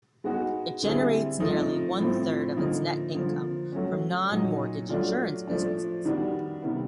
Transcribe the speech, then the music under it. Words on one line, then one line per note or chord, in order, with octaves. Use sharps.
It generates nearly one-third of its net income from non-mortgage insurance businesses.
G#3 B3 D#4 F#4
D3 G3 C4 E4 G#4
F3 A3 C4 D#4
A2 F3 A3 C4
D3 F3 A#3 D#4
D3 F3 A#3
F#3 A3 C#4
A#2 F#3 A#3 D#4
F#3 A3 D4 F4
F3 A3 D4
D#3 G3 B3 D4 F#4
C3 D#3 G3 B3